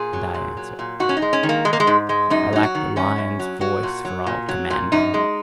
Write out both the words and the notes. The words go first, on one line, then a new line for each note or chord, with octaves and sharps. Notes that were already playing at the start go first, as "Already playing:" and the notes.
And I answered: "I lack the lion's voice for all commanding."
Already playing: A#2 G#4
F#3
A#2
F#3
A#2
G#2 F#4
C#4
D#4
G#3
C#4
D#3
A#3
G#2 G#3
A#3
G#3
G#2
G#3
F#2 D#4
F#3 D#4
F#4
D#3
F#2 C#4
F#2
F#3
F#3 F#4
A#2
F#3
A#2
F#3
A#2
F#2 D#4
G#3